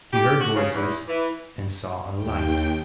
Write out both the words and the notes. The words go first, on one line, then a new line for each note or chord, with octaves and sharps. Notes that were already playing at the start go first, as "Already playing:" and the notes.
He heard voices and saw a light.
G4
F#4
C#3
E2
E3
D#2 G5